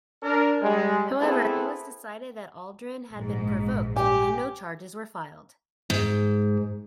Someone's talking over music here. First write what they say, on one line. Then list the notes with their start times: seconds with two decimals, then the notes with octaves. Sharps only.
However, it was decided that Aldrin had been provoked and no charges were filed.
0.23 D4 A#4
0.61 G3 G#3
1.21 A3 B3 C4 E4 G#4 A4
3.13 A#1 G#2
3.96 G4 G#5
5.90 G#2